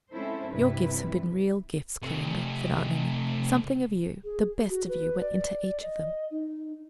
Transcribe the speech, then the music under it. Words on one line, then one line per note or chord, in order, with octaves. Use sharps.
"Your gifts have been real gifts, Clorinda," said Aunt Emmy. "Something of you--the best of you--went into each of them."
G#3 C4 C#4 E4 A4 C5
E2 G2 C3 G3 E4 B4
C3 A3
G#4
F#4
B4
D5
D#5
D#4